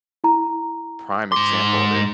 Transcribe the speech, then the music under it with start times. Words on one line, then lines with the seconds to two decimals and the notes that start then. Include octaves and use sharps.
prime example of it
0.24 E4 A#5
1.32 G#2 C6 D6